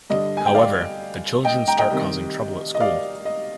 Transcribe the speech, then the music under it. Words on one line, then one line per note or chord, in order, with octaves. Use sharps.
However, the children start causing trouble at school.
G2 D3 G3 D4 D#5
G#5
G5
D5 F5
D#5 G5
G5 A#5
D#5 G5
C2 C3 D#3
D#5
D5 F5
D#5